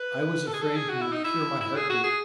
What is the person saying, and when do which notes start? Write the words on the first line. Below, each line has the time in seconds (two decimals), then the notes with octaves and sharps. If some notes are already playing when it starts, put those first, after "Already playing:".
I was afraid he would hear my heart beat.
Already playing: B4
0.47 A4
0.53 G#4
0.61 A4
0.76 G#4
0.89 F#4
1.01 E4
1.13 D#4
1.24 E4
1.61 E4
1.76 G#4
1.90 F#4
2.04 G#4